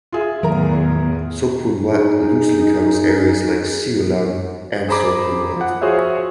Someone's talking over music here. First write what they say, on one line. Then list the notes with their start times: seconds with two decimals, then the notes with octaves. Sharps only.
So Kwun Wat loosely covers areas like Siu Lam and So Kwun Wat.
0.12 F4 G#4 E5
0.43 E2 A2 D#3 F#3 A#4 A#5
1.89 D#4 G#4
4.88 G#4 C5 A#5 B5 D6
5.56 F3 F#5
5.81 F4 F#4 G#4 C5 C#5 E5